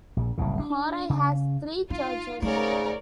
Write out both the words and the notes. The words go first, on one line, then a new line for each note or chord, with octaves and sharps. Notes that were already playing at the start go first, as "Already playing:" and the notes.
Gorai has three churches.
A#1
F#1 C2 A2 C#3
D4
C#3
D#4 F4
G#2 C#3 A3 A#4 C#5 D5